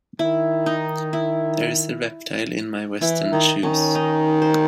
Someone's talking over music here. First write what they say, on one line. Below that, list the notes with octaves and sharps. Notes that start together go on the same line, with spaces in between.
There is a reptile in my western shoes.
D#3 E4
D#4
E4
E3 E4
D#3 D#4
D#3 C#4
D#4
C5